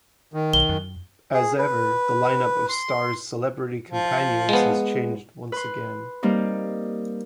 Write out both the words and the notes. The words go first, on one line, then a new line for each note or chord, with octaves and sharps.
As ever, the line-up of Starr's celebrity companions has changed once again.
D#3
B1 G7
F#2
G#4
B4
C6
F3
G#3 B3
B4 C6
G3 A#3 C4 D#4